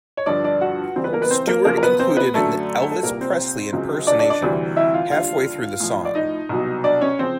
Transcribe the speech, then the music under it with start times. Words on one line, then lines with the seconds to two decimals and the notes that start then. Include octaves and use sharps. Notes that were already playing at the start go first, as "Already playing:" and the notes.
Stewart included an Elvis Presley impersonation half way through the song.
0.17 C#5
0.26 G2 D3 F3 D4 D5
0.44 D4 D5
0.61 F#4 F#5
0.96 F#2 C#3 E3 G3 C4 C5
1.04 B3 B4
1.13 A#3 A#4
1.22 B3 B4
1.30 C4 C5
1.47 A#3 A#4
1.65 F#2 C#3 F3 A#3 A#4
1.77 A#4
1.83 B3 B4
1.99 C4 C5
2.17 B3 B4
2.34 F#2 D3 F#3 A3 A4
2.92 A4
3.03 C2 A#2 G3 A#3 A#4
3.21 C4 C5
3.73 C#2 C#3 F#3
4.07 D4 D5
4.19 D4 D5
4.30 D4 D5
4.42 D2 C3 E3 G3
4.76 E4 E5
4.94 F4 F5
5.11 D#2 D3 G3 F4 F5
5.80 A2 F3
6.05 D5
6.15 D#4 D#5
6.49 C2 B2 F#3
6.84 D4 D5
7.01 C#4 C#5
7.19 C#3 F3 C4 C5